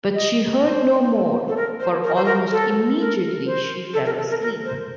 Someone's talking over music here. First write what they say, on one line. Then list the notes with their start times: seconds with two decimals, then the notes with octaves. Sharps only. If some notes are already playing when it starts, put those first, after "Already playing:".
But she heard no more, for almost immediately she fell asleep.
0.14 D#5
0.62 C5
1.48 A4
1.57 A#4
1.80 C5
2.04 A#4
2.15 C5
2.25 A#4
2.52 A4
2.99 A#4
3.46 C5
3.94 A4
4.06 A#4
4.17 A4
4.30 A#4
4.41 A#4
4.65 C5